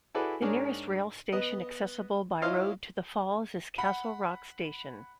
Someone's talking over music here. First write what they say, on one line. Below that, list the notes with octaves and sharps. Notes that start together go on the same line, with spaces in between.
The nearest rail station accessible by road to the falls is Castle Rock station.
E4 F#4 G#4 A4 B4 D5
G#2 D4 G#4 A#4 C#5 D5
B3 D#5
E4 F4 C5 C#5 D#5 F5
F#5 B5